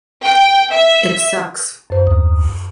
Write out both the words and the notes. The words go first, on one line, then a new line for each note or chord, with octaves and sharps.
It sucks.
G5
E5
F#2 C5
D#2